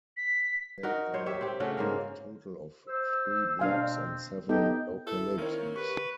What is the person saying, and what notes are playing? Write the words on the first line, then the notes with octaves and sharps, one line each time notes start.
There are a total of three blocks and seven localities.
B6
D#4 F#4 A#4
F#3 C5 C#5
G4 C#5 E5
C4 G4
C#3 A3 C#4 F#4
G#2 A#3 A#4
C5 E6
B2 A#3 C4 D4 F5 G#5
B3 D#4 G4 A4 D#5 G5
E4 A4
D#3 A#3 C4 C#5
G4 B4 C#6